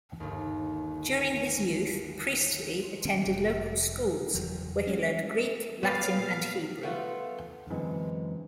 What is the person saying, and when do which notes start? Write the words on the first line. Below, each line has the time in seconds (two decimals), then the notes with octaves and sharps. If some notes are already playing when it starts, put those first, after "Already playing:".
During his youth, Priestley attended local schools where he learned Greek, Latin, and Hebrew.
0.20 G1 D#2
3.05 D#3 G3 B3 C#4
3.26 F1
4.34 F#1 E2 F3 F#3
4.87 G#3 C#4
5.83 B3 C#5 F5
6.15 A#2
6.83 A3 B3 F4
7.70 F#2 D3 E3 G#3 C4